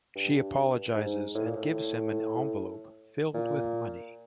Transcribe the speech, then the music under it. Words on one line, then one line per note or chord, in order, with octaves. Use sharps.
She apologizes and gives him an envelope filled with money.
G2
G#2
A2
A#2
A2
A#2